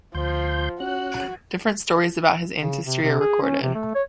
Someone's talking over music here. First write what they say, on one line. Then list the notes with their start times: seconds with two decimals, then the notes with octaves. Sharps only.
Different stories about his ancestry are recorded.
0.15 D2 F3 C6 G6
0.80 C#4 F#4 F#6
2.61 C#3
2.86 C3
3.02 C3
3.20 G#4
3.43 C#4
3.62 C3
3.75 A3
3.95 C#5